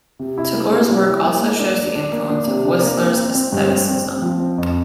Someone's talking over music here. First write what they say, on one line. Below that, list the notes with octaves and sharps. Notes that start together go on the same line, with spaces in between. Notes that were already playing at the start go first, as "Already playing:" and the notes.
Tagore's work also shows the influence of Whistler's Aestheticism.
C3
E4
A#3
C3
G3
E4
A#3
A#3
D4
D4
D4
A#3
D4
C3
D4
A#3
C4
C4
C4
G2
C4
C4
C4
F3
C4
F2